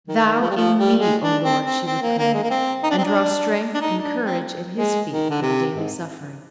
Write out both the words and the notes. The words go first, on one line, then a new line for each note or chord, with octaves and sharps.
"Thou in me, O Lord," she would pray, and draw strength and courage at His feet for the daily suffering.
D#3
D#3
F3
G3
F3
G3
G#3
D4
C4
C4
C4
A#3
A#3
G#3
A#3
C4
D#4
D4
C4
D4
D4
D#4
D4
C4
G#3
D#3
D3
C3
G#2